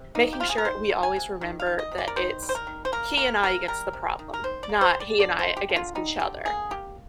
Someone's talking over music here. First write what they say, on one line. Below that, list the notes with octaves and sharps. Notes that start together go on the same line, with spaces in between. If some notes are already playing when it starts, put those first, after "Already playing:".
making sure we always remember that it's he and I against the problem, not he and I against each other.
Already playing: C3
A#3 D#4
G4
C3 F4
G#4
A#4
D#3 C5
A#3
G#5
C3
D#3
F5
D#3
D#5
C3
D5
A#4
D#3 C5
G3
C5
A#4
D#3
C5
A#3 A#4
A#3 A#4
C3 A#4
G3 A#4
C3
D#3
A#4
D#3 C5
D5
A#3
C5
G3
D5
D3 D5
C5
D3
G4
D3
F4
G3 D#4
D3 G4
A#3 G#4
A#3 G4